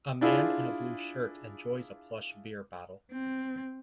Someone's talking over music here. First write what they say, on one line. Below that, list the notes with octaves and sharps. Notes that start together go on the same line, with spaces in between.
A man in a blue shirt enjoys a plush beer bottle.
D4 E4 F4 G#4
C4